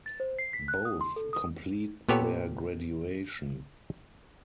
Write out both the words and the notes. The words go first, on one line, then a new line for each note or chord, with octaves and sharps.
Both complete their graduation.
A6
C5
C7
B6
F#6
D#6
C6
A4
D#6
A#2 B3 G4 A4 C#5